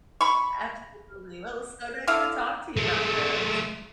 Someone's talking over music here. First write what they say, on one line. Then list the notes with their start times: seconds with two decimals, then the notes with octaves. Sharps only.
Absolutely. Well, it was so nice to talk to you about this.
0.21 B5 C#6
2.08 D3 E4 E5 F5
2.77 G#3 A3